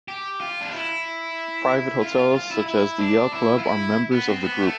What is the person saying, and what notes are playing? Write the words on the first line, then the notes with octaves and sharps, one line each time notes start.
Private hotels, such as the Yale Club, are members of the group.
G4
F4
D4
E4
F4
F4
F4
E4
E4
D4
E4
F4
E4
B3
C4
B3
A3